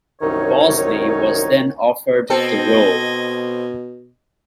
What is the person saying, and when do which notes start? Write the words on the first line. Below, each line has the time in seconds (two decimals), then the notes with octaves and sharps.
Bosley was then offered the role.
0.22 C2 F#2 D#3 D#4 C#5
2.30 B2 C4 A4 D#5 G#6